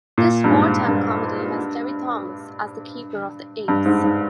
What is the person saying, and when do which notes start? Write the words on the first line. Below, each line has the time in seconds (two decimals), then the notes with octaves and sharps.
This wartime comedy has Terry-Thomas as the keeper of the apes.
0.18 A#2
0.44 G2
0.52 G#2
0.87 G2
3.68 G2
3.85 G#2
4.04 G#2